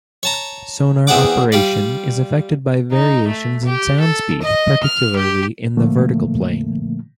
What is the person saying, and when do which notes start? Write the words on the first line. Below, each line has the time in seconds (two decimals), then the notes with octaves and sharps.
Sonar operation is affected by variations in sound speed, particularly in the vertical plane.
0.23 C#5 A5 A#5
1.07 E2 C4 G#4 F#5 D6
1.52 G3 F4 D5
2.92 D#4
3.27 A3
3.65 G4
4.00 A4
4.42 D#5
4.83 F6
5.16 G4
5.77 A#2 D3 F3 A3 A#3